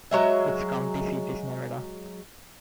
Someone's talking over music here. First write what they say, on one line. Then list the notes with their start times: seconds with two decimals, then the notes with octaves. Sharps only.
Its county seat is Nevada.
0.11 F#3 G#3 E5